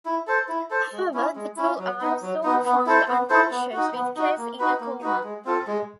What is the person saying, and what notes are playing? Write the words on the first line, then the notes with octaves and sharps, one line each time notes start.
However, the two are soon found unconscious, with Kes in a coma.
E4
A4 C5
E4
A4 C5
G#3
C#4 E4
G#3
C#4 E4
F#3
B3 D#4
F#3
B3 D#4
B3
E4 A4 C5
B3
E4 A4 C5
B3
D#4 F#4
B3
D#4 F#4
A#3
D#4 F#4 B4
A#3
D#4 F#4 B4
G#3
C4 F4 A4
G#3